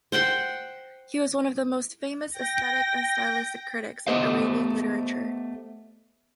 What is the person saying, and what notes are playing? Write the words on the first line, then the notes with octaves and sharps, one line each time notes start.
He was one of the most famous aesthetic and stylistic critics of Arabian literature.
C5 F#5 G5 C6
G5 A#6
A3 B3 G4 C5 D#5 F5